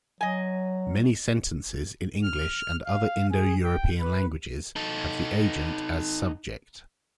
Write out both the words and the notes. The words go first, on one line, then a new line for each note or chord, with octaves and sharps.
Many sentences in English and other Indo-European languages have the agent as subject.
F#3 D#5 G#5
F6
F5
G#4
G5
B4
D#4 A4